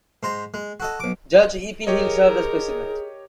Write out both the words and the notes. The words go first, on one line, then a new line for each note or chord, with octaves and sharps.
Judge E. P. Hill served as president.
G#2 C5 A#5
G#3
F#4 A4 D#5
B1 D6
G4 G#4 A#4 C#5 D#5